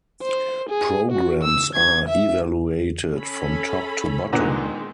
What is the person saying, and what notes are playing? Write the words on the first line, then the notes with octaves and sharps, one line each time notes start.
Programs are evaluated from top to bottom.
C5
G#4
F#4
E6
G#6
E5
C#4 A4 B5
A#2 D3 D#3 G#3 B3 C4